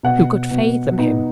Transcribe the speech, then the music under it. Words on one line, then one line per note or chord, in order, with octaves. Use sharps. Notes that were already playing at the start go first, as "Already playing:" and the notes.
Who could fathom him?
B2 F#5
B2
B3 D#4